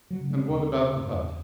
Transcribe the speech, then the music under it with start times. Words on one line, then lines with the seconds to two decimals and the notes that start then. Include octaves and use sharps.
"And what about the hut?"
0.11 F#3
0.20 C#3
0.30 G#3
0.49 D#2
0.78 C#3
1.07 E2